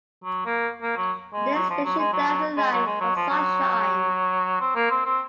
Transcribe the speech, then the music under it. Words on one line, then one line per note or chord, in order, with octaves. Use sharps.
The next station down the line was Sunshine.
F#3
A#3
A#3
F#3
G#3
F#3
F3
F#3
G#3
F#3
F#3
G#3
F#3
G#3
F#3
F3
F#3
C4
A#3
C4
C4